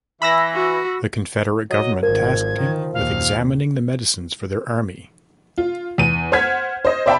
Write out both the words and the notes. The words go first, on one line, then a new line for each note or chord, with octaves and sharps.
The confederate government tasked him with examining the medicines for their army.
E3 B5 E6 A#6
F#4
F#3 D#5
G#1 F3 A#4 G#6
D#3
D#2 A#2 F5
F4
E2 D#7
C5 F#5 F6 G#6 B6
C5 D#5
C5 D5 E5 G5 A5 B5